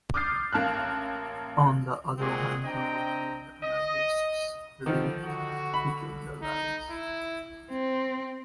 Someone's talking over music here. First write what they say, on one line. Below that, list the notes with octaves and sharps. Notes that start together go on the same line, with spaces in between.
On the other hand Romanian analysts read between the lines.
D6 D#6 F6 G6 A6 C7
A1 A#3 A5 F6 F#6
A#2 G#3 C4 F#4 G#4
C4 D4 D#5 G5 A#5
D#5
D3 D#3 F3
D3 F#4
B5
D#4
E4
C4